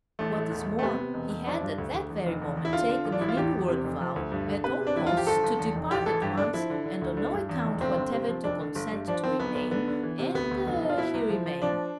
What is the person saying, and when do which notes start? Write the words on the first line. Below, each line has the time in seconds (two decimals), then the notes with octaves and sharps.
What is more, he had at that very moment taken an inward vow at all costs to depart at once and on no account whatever to consent to remain, and ... he remained.
0.19 A1 A3
0.35 A1
0.51 E1
0.67 E1
0.79 A3
0.83 C3 B3
0.99 C3
1.14 E1
1.30 E1
1.46 F3 D4
1.63 G2
1.78 D2
1.94 D2
2.10 E2
2.26 F1
2.41 E2
2.57 E2
2.65 E4
2.73 D3 F4
2.89 D3
3.05 A1
3.12 D4
3.21 A1 E4
3.29 F4
3.37 E2 G4
3.52 E2
3.68 C3
3.84 F1
4.00 F3
4.16 D2
4.32 G2
4.48 D3
4.64 C3 B4
4.80 C3
4.87 D4
4.95 E2 E4
5.07 F3 F4
5.17 G4
5.27 G1 A4
5.43 G1
5.58 E2
5.75 F1
5.91 A1 G4
6.06 E3 A4
6.22 G2 G4
6.37 D3 D4
6.54 F3 E4
6.70 D3
6.85 D3
7.02 D2
7.17 D3
7.33 G2
7.49 E2
7.65 F1
7.81 G1 C4
7.97 G1
8.12 C3
8.28 F3
8.44 F1 D4
8.60 D3
8.75 G1
8.92 G2
9.07 F3 D4
9.23 F3 C4
9.39 B1 B3
9.55 B1 B3
9.71 D3 B3
9.88 D3
10.03 E3
10.19 C3
10.34 D2 B3
10.51 D2
10.67 F1
10.82 F3
10.89 F4
10.98 B2 E4
11.14 C2
11.29 F3
11.46 F3
11.62 F3 D4